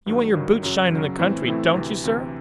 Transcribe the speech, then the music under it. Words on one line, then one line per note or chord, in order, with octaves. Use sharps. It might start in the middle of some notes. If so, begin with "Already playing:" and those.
"You want your boots shined in the country--don't you, sir?"
G2 D#3 F#3
G2 D#3 F#3
F#2 C#3 F#3
F#2 C#3 F#3
A2 E3 A3 C4 E4
A2 E3 A3 C4 E4
D2 C3 E3
D2 C3 E3